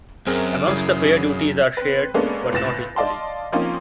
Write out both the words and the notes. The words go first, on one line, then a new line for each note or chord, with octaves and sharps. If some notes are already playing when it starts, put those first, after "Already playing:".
Amongst the pair duties are shared but not equally.
F#2 C4 G#4 A#4
C#3 E4 G#4
C4 B4
G#3 A#3 B3 C#4 D4 A4
C#2 A2 B4 A6 A#6 E7
D5 D#5 F5 A5 C6
F3 A#3 C4 C#4 D#4 F4